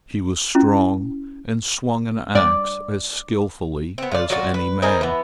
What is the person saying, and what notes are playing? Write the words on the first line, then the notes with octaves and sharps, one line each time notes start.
She was strong and swung an ax as skillfully as any man.
C#4 E4
D5
B3 C4
F4 D5
F#3 F4 F#4 D5
B4
C4 D#4 G#4 A#4
E3 B3